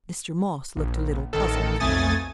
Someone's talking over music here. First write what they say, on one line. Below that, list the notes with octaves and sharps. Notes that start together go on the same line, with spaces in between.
Mr. Moss looked a little puzzled.
A#1
A1 D#3 A4
B1 F2 A3 G#5 D#6 A6